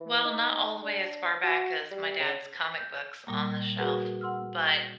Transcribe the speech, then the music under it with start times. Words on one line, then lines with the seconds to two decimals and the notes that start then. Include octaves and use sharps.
Well, not all the way as far back as my dad's comic books on the shelf, but
0.01 E3
0.25 D#4
0.84 D4
1.44 F#4
1.91 G3
2.19 C#3
2.78 G6
3.27 A#2 G3 A#3
3.77 F#4 G#4 A#4 B4 F#5
4.21 F#5 C6 E6 F6